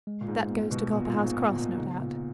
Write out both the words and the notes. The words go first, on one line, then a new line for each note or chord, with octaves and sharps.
That goes to Copperhouse Cross, no doubt.
G#3
A#2
G#2
B3
B2
A#2 B3
A#2
G#2
G#2 B3
A#2
G#2 C#3
A#2